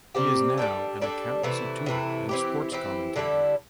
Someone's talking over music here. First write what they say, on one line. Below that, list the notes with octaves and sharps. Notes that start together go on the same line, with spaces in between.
He is now an accountancy tutor and sports commentator.
C3 G3 C4 G4
G3 D4 A4
G3 D4 A4
C3 E3 A3 E4
C3 E3 A3 E4
E3 C4 E4 G4
E3 C4 E4 G4
D3 G3 E4 A4